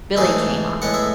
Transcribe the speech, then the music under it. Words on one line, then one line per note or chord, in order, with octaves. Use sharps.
Billie came up.
G#2 E3 A3 G#4
A2 G#3 B3 F#5
E5